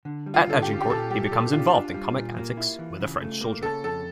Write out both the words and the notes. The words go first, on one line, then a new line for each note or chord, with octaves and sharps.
At Agincourt he becomes involved in comic antics with a French soldier.
D3
G3
F4
D3 A4
G4
C#4
G4
A#2 A4
G3 G4
A#2 A4
D4 F4
D4
G3
A#2
A#3
E4
E3
C#3
A3
A#3
C#3 A4
F2 A4